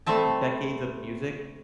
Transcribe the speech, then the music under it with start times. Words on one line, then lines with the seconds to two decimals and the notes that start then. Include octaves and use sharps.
decades of music
0.06 G3 A3 C4 E5 A5